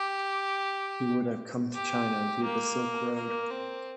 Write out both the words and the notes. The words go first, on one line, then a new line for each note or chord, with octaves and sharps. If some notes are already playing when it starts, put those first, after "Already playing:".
He would have come to China via the Silk Road.
Already playing: G4
G4
A#3
A#3
C4